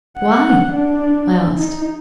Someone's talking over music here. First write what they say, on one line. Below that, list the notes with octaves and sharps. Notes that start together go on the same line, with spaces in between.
"Why?" I asked.
F#5
D4
D#4